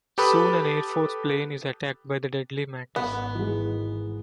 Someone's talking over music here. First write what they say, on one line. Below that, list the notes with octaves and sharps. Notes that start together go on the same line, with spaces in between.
Soon an Air Force plane is attacked by the deadly mantis.
G4 A4 B4 B5 D#6
G#1 B3
E3 G#3